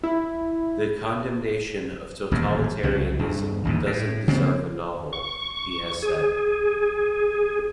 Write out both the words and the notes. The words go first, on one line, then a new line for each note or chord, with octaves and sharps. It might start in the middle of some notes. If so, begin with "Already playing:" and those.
"The condemnation of totalitarianism doesn't deserve a novel," he has said.
E4
D#1 A1 F#2
C2 C#3 F#3
C2 G2
A1 D#2 A#2
A2
C#3 F3 A#3 C4
C#6
G#4